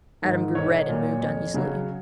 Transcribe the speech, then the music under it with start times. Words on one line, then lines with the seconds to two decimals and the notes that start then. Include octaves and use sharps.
Adam grew red and moved uneasily.
0.22 G#2 D#3
0.55 B1 C#5
0.89 A#2 F#3
1.21 F2
1.54 C#3 F#3